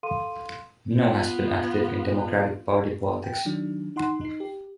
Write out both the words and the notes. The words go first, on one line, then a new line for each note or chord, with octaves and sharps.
Minow has been active in Democratic party politics.
A4 F5 C6 D#7
B3 F4
G5
D#3 F#3 D4
D#4 F#5 C6
D#4 C7
G4